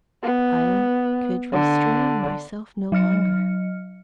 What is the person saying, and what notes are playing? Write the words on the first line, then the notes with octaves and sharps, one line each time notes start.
I could restrain myself no longer.
B3
D3
F#3 D#5 F6 C#7